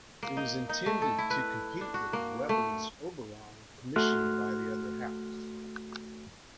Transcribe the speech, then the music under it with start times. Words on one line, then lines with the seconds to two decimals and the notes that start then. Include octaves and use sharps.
It was intended to compete with Weber's "Oberon", commissioned by the other house.
0.23 A#3
0.37 D#4
0.69 D#4
0.86 A3
1.02 A4
1.18 E4
1.30 B4
1.81 D4
1.94 F#4
2.13 A#3
2.49 A3
3.96 A3 F#4 C6 F6 F#6